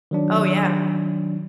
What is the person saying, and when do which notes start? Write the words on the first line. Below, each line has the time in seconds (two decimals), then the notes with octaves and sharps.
Oh, yeah.
0.11 D#3 F#3 D4